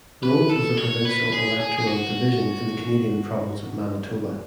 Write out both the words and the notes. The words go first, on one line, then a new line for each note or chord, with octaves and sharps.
Rose was a provincial electoral division in the Canadian province of Manitoba.
B4
A4
C#5
B4
G#4
G#4
G#4
F#4